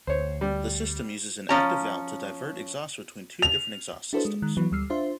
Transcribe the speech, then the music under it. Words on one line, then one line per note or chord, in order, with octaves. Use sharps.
The system uses an active valve to divert exhaust between two different exhaust systems.
D2 C5 C#5
G3
F3 C#4 A#5
F7
D4 E4 F#4 A4 B4 C5
G#3
D#3 G#3 F#6
E3 F#3 B3
D2 G3 E6 F6 C7
D4 F4 C5 E5 C6